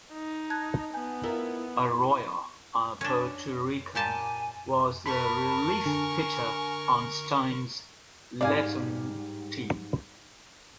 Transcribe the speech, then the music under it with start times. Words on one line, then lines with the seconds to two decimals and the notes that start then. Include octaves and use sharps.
Arroyo, a Puerto Rican, was the relief pitcher on Stein's Latin team.
0.12 D#4
0.50 A5 F#6 G#6
0.94 B3 G#5 G6
1.23 E4 F4 A#4
1.76 E4
3.01 C#4 D4
3.95 A#2 G4 G#5 A5
5.06 A#4 A5 B5 C#6
5.86 D3 G#5
8.41 G#2 G3 D5 F5 G#5